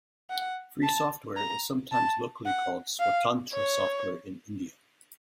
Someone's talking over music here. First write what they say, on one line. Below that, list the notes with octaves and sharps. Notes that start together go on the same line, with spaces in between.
Free software is sometimes locally called swatantra software in India.
F#5
A5
A#5
A5
F#5
F5
C#5